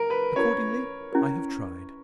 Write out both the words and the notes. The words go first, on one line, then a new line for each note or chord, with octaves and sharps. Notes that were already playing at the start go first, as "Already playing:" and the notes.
Accordingly, I have tried.
Already playing: A#4
B4
C#4 E4 A#4 C#5
C#4 E4 A#4